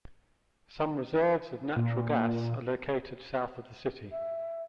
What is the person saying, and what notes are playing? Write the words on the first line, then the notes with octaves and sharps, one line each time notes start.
Some reserves of natural gas are located south of the city.
A#2
E5